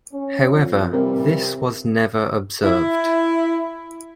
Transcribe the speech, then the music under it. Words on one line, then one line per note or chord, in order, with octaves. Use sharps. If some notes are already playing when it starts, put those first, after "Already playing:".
However, this was never observed.
C#4
F2
C3 E3 F3 G3 C4 A#4
E4